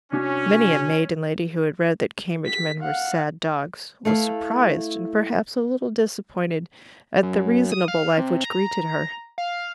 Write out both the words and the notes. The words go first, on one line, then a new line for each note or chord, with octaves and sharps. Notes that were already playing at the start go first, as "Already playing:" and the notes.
Many a maiden lady who had read that Cambridge men were sad dogs, was surprised and perhaps a little disappointed at the reasonable life which greeted her.
C2 C#4 D4 F#4
B6
F5 F#5
A3 E4 F5
F#2
D#6
F5
C3
A#5
F5